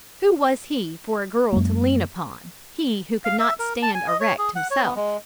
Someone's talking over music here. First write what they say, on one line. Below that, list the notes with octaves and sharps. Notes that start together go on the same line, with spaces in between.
Who was he for a girl to lean upon?--he who could not stand erect himself!
F#2 F#3 G#3 A#3
F5
E5
A#4
A5
G#5
D#5
C#5
G#4
F#5
C#5
B3
G#3